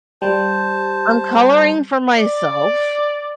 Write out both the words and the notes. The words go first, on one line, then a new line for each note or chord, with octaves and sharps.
I'm coloring for myself,
G3 C5 A5
D5